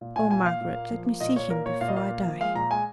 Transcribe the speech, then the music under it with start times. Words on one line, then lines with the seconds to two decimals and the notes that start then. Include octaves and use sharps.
Oh, Margaret, let me see him before I die!'
0.01 A#2
0.16 A#2 G#5
0.31 A#2 G#5
0.46 A#2 F5
0.61 A#2
0.76 A#3
0.91 F3
1.05 A#3
1.20 A#2 D#5
1.36 A#2 C#5
1.50 A#3 A#4
1.66 A#2 C#5
1.81 A#2 F5
1.88 D#5
1.96 A#3 F5
2.10 A#3
2.25 F3
2.40 G#3 F5
2.55 A#2 A#5
2.71 G#3 G#5